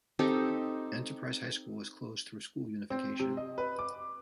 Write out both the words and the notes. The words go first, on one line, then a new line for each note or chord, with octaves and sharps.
Enterprise High School was closed through school unification.
C4 D#4 G4 A4
C4
C3
D#5
B4
D6